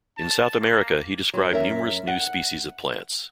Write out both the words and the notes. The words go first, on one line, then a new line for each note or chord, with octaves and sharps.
In South America he described numerous new species of plants.
A5
A#3
F#3
F#2 C#4 A#4 E5
F#5